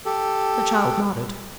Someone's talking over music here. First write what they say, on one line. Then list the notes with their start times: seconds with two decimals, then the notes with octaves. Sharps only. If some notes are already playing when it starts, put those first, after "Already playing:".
The child nodded.
0.05 G4 A4